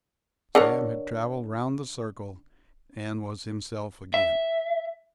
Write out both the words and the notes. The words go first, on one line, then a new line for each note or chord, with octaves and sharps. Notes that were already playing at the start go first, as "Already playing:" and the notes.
Sam had traveled round the circle and was himself again.
D3 A#4 C#5
E5